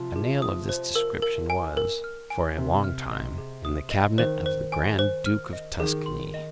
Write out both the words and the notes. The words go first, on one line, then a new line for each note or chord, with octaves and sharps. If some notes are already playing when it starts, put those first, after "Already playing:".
A nail of this description was, for a long time, in the cabinet of the Grand Duke of Tuscany.
Already playing: C3 F3
G#4
D#6
C5
A#4
A#4
G#5
A#4
F6
G#5
C3 A#4
F6
D#5
G#4
D#6
D#5
D#3 C5
C5
G#5
C5
F6
D#5
D#3 G#4
C6
D#5